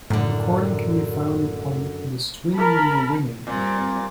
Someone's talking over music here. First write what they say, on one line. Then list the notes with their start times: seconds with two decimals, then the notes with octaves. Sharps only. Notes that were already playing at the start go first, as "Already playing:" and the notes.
The recording can be found on the "Swing When You're Winning" album.
0.10 F#2 A2 D3
2.55 A#4 A5 B5
3.47 A#2 G3 C4